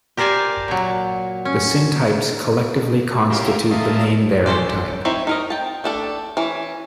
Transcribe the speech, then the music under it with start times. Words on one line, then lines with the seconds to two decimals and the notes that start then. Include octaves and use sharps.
The syntypes collectively constitute the name-bearing type.
0.17 G4 A#4 C5 D5 G#5 A5
0.68 A#2 F#3
1.45 C#4
3.30 C#4 E4 F4 G4 A#4
3.71 A3 E4 F4 A#4 D#5 A5
4.46 C#4 A4 C5 D5
5.05 C4 D#4 E4 C#5 E5
5.27 D#4 A#4 D#5
5.50 G5 A5
5.84 A3 D4 A4
6.37 E3 C#4